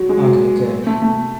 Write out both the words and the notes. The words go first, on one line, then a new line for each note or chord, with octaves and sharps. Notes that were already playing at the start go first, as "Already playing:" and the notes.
Okay, good.
Already playing: F#3
G#3
F#3
A3
A3